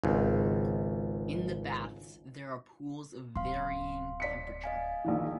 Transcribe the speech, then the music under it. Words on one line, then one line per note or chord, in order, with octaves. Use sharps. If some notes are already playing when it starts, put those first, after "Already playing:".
In the baths there are pools of varying temperature.
G#1 C#2
D1 F5 C6
D5 B6 C#7
D#5 F5 G#5
A#1 D#3 E3